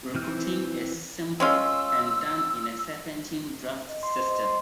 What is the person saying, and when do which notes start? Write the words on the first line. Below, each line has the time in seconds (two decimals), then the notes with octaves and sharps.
Recruiting is simple and done in a serpentine draft system.
0.15 E3 C4 F6
1.40 G#3 C#4 F4 E6
3.88 D#5
4.03 C6
4.16 C5
4.28 D#5
4.44 C6